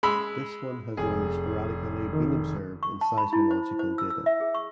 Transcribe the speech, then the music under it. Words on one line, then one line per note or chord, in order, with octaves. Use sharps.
This one has only sporadically been observed in seismological data.
G#3 B5 E6
F1 G#4
D#3
C#6
A5
B5
E4
C5
C5
E6
E6
E5
G#4
C#6